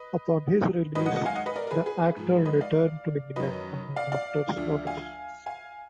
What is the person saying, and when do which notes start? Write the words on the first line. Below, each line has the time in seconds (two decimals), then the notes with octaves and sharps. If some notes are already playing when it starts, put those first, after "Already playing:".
Upon his release, the actor returned to England under doctor's orders.
Already playing: B4 D#5
0.95 G#2 D#3 F#3 B4 D#5
1.06 D#5 F#5
1.16 D#5 F#5
1.26 F5 G#5
1.35 D#5 F#5
1.46 B4 D#5
1.56 A#4 D5
1.67 A#4
1.71 G#4 B4
1.86 G#4 B4
2.16 G#2 F3
2.45 B4 D#5
2.61 D5 F5
3.36 F#2 D#3 F#3 B4 D#5
3.96 D5 F5
4.12 D5 F5
4.56 D2 D3 F3
4.87 F5 G#5
5.46 F5 G#5